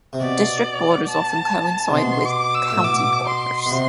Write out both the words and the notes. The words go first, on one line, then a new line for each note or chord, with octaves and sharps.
District borders often coincide with county borders.
C3
B2 D5
A5
C3
B2 C6
D6
E6
A2
B2 D6
C6
B2
C3